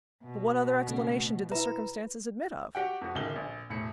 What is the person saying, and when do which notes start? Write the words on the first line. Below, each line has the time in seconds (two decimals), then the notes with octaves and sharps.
But what other explanation did the circumstances admit of?
0.24 B2
0.88 C#3 A3 B3
1.52 E4 B4 E5 A#5
2.75 F#4 G4 F#5 G5
3.01 F2 F#4
3.14 D1 C#2 D#3 G7
3.36 A#1
3.70 E1 A2 C#7